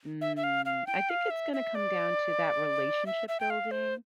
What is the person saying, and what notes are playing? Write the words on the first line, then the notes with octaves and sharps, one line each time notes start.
Mm, I think it's gonna come down to that relationship-building.
E5
E5
F5
F5
G5
F5
E5
E5
D5
E5
E5
G5
F5
C5